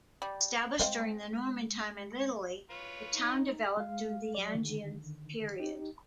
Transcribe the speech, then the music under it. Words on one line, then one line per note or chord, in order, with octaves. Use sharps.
Established during the Norman time in Italy, the town developed during the Angevin period.
G3
G#3 C4 D#5 F5
F4 B4 C#5
D#4
G#3 F5
F#3 D5
D3 D#3
D#4 G4